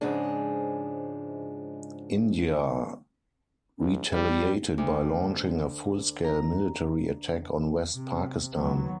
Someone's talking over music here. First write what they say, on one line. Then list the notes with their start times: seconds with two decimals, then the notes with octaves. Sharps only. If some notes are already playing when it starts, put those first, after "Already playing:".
India retaliated by launching a full-scale military attack on West Pakistan.
0.01 G#2 C#3 F3 G#3 D4
3.80 C2
4.13 G3
4.78 D2
6.24 A#5
7.91 C3
8.53 D#2 F#3 B3